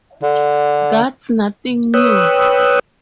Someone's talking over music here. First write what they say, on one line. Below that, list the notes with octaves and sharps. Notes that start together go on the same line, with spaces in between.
That's nothing new.
D3
B4 C#5 G5 D#6 E6 F#6